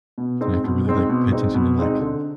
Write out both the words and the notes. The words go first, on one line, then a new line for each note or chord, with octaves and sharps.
so I have to really, like, pay attention to, like,
B2
G#3 C4 D#4
B2
G#3 C4 D#4
B2
G#3 C4 D#4
B2
G#3 C4 D#4
D3